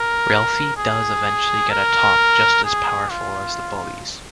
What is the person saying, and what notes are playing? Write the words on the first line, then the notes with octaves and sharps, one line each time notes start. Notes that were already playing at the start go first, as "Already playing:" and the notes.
Ralphie does eventually get a top just as powerful as the bully's.
Already playing: A#4
G#4
A#4
G#4
F4